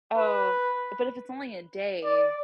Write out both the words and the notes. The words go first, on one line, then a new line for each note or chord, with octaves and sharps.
oh, but if it's only a day.
B4
D5